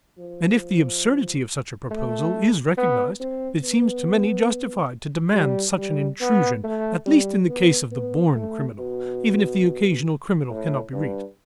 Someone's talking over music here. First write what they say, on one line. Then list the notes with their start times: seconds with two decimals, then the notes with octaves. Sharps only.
And if the absurdity of such a proposal is recognized it seems to many justified to demand such an intrusion at least in the case of the born criminal, even if the occasional criminal cannot be reached.
0.18 F3
1.91 A3
2.77 B3
3.20 C4
3.63 B3
5.34 G3
5.77 G3
6.21 B3
6.64 A3
7.06 G3
7.49 B3
7.92 B3
8.35 A3
8.78 B2
10.50 A2
10.93 G2